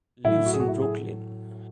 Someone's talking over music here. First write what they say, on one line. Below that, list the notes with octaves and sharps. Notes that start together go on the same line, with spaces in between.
Lives in Brooklyn.
A2 F#3 A3 E4
F#4
G#4
F#4
E4
G#4